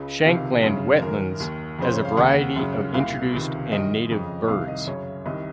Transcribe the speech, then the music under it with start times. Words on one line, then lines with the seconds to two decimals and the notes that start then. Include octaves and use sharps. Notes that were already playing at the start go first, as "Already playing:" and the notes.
Shankland Wetlands has a variety of introduced and native birds.
Already playing: C#2 C#3
0.24 C#2 C3 D#3 F5
0.63 F#2 C#3
1.01 F#2 D#3 A#4
1.40 D#2 D#3
1.79 F2 C#3 C5
1.92 C#5
2.05 F5
2.17 D#2 C#3 F#5
2.56 F#2 C#3
2.94 C2 A#2 F5
3.33 C#2 C3 D#3
3.71 F#2 D#3 D#5
4.10 F2 C#3
4.48 C2 C3 D#3 F5
4.68 D#5
4.87 F#2 C#3 C#5
5.26 C2 C3 D#3 D#5